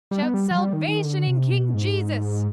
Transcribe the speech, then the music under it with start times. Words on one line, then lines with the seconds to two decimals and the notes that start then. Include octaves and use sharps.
Shout salvation in King Jesus.
0.11 G3
0.22 B3
0.34 G3
0.51 F3
0.57 G3
0.73 D#3
0.88 D#3
1.04 D3
1.27 C3
1.51 B2
1.74 G#2